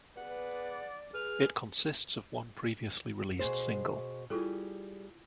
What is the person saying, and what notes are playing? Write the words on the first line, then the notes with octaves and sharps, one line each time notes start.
It consists of one previously released single.
B3 G#4 B4 D5 F#5
G#4 B4 F6
B2 G#4 C5
G3 E4 F4 G#4 A4